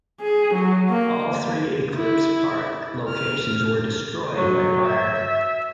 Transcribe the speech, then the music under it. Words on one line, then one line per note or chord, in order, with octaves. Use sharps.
All three Eclipse Park locations were destroyed by fire.
G#4
F#3
A#3
E4
F6
F#3
E5